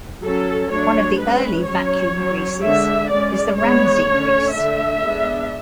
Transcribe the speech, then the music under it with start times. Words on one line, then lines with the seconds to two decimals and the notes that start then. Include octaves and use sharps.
One of the early vacuum greases is the Ramsay grease.
0.23 F#3 C#4 A4
0.71 F#3 A3 D4 C#5
1.19 G#3 C#4 B4
1.67 F#3 C#4 C#5
2.15 F#3 C#4
2.62 D3 G#3 D4 E5
3.10 G#3 C#4 D5
3.58 G#3 B3 D4 C#5
4.06 D3 A3 C#4
4.54 D3 A3 D4 E5
5.02 G#3 B3 D4